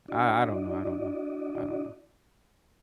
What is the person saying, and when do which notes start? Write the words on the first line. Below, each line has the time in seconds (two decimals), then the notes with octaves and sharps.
I I don't know, I don't know, I don't know.
0.08 D4 E4 F#4 D5 D#5